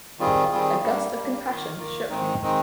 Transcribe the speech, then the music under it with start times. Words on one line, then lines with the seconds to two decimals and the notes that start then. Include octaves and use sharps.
A gust of compassion shook me.
0.19 D#3 G3 C4 F4 G#4
0.51 D#3 G3 C4 F4 G#4
0.82 G2 G3 A#3
1.14 G2 G3 A#3
1.46 D#3 A#3 F4 A#4
1.77 D#3 A#3 F4 A#4
2.10 G#2 D#3 G#3 C4 D#4
2.41 D#3 G#3 C4 D#4